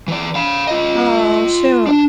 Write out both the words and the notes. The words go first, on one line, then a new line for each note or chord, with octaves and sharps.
Aw, shoot.
E3 D5
F5 B5
F4 D#5
D4